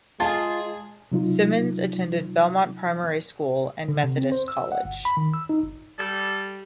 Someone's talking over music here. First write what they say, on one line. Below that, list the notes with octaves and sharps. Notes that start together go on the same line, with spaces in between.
Simmons attended Belmont Primary School and Methodist College.
G#3 F4 G#4 A5
C3 F#3 D#4 F4
D3
C3
C4
C5
E6
F#5
G1
B5
D#3
E6
D#4
G1
G3 A4